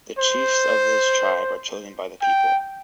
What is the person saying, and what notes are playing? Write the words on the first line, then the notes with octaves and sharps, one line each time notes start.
The chiefs of this tribe are chosen by the people.
C5
G5